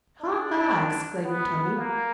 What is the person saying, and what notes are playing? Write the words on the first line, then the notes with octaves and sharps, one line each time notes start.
"Ha, ha!" exclaimed Tommie.
D4
B3
A#3